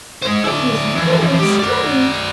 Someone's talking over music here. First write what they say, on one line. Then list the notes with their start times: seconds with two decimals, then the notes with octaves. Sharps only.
That is very strange!
0.22 G#3 C5
0.44 E4 D5
0.96 E3 F3
1.39 G#3 G4
1.59 F#4 D5